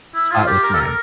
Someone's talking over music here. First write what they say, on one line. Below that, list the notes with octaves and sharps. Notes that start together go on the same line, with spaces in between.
Spotless Mind.
E4
F4
G4
A#4
A4
A#4